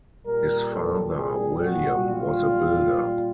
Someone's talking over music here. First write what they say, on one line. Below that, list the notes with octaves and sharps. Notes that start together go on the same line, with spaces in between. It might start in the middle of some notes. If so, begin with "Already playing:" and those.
His father, William, was a builder.
A#2 G3 A#4
A4
G#4
F#4
F4